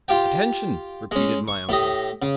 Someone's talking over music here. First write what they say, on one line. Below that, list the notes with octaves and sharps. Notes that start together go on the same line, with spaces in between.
"Attention!" repeated my uncle.
F4 G4 G5
G#3 C#4
C#6
A2 G4 D#5
C#3